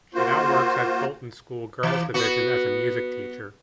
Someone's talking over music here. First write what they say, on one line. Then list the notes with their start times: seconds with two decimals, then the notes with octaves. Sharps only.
She now works at Bolton School Girls Division as a music teacher.
0.14 A#3 F4 F#4 C5
1.83 E3
2.14 B3 F#4